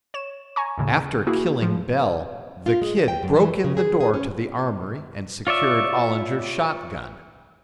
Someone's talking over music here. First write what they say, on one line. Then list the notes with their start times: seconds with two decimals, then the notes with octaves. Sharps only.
After killing Bell, the "Kid" broke in the door to the armory and secured Ollinger's shot-gun.
0.14 C#5 E7
0.56 G#5 A#5 C#6
0.78 D#2 A2 C#3
1.27 A#3 E4 F#4 G#4
1.62 A2 F3
2.66 F4
2.82 G#3
2.96 E3
3.08 G5
3.23 F#2
3.36 E3
3.51 F#2
3.64 C#3
3.77 G#4
4.00 G#4
4.14 C#4
5.47 F4 C#5 D5 E5